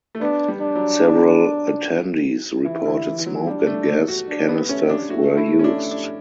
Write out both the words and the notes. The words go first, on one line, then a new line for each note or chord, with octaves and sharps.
Several attendees reported smoke and gas canisters were used.
A3
B3 D4
G3
D4
F#3
E3 E4
D3
E3
E3
F#3
G3 D4
A3
A3
F#4
D4
B3
A3 C#4
D4
A3 F#4
E4
C#4
D4
D4